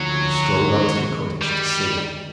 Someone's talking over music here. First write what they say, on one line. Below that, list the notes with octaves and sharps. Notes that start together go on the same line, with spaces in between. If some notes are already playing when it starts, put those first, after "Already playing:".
He strolled up to the cottage to see.
Already playing: D2 D3 F3 F#3 A#3 D#4
F#2 D#3 G#3 C#4 E4
G3